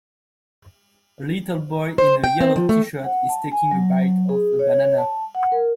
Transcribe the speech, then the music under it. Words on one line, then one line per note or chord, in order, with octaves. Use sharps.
A little boy in a yellow teeshirt is taking a bite of a banana.
C5
G5
C4
F3
A3
F#5
A5
G#5
F#3
G#4
C#5
A5
F#5
A#4